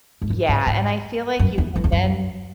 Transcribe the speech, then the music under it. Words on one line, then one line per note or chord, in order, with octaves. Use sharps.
Yeah, and I feel like you can then
G#2
F#2
G#2
G#2
F#2
E2
F#2
E2
F#2